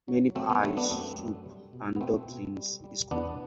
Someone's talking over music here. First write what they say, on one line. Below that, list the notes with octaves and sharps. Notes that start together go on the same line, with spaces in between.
Many pies, soup and dumplings is cooked.
F#3
F#3 A3 C4
B3
F#3 A3
B3 D4
F#2 A3 C4
F#2
G3
B2
B3
B2 A3 C4
B2
G3
G3
E2 B3 D4